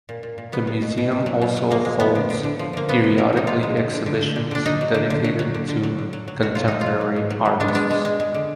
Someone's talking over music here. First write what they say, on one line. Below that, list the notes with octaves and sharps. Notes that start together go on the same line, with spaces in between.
The museum also holds periodically exhibitions dedicated to contemporary artists.
A#2
A#2
A#2
F#3 B3
F#3
B2
B2
B2
F#3
B2
F#3
F3 A#3
G#3
F3 B3
D3
D3
D3
F3
D3 A#3
F3 B3
D3
D3 A#4
F3 D#4
G#3 F4
G#3
D3
D3
D3
D3
D3
D3 D4
F#3 D#4
F#3
D3
D3
F#3
F#3
D3
D3
F#3
D3
F#3
F#3
B2 F#4
F#3 F4
F#3 D#4
F4
F#3
F#3
B2
F#3
F#3
G#3 D4
B3
G#3 D4
G#3
G#3
G#3
D3